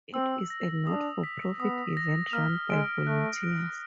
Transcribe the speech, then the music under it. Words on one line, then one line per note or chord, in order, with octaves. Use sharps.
It is a not for profit event run by volunteers.
C4 E6
A#6
D4 D#6
B6
B3 D#6
A#6
A#3 F6
G#3 D7
A3 F#6
D7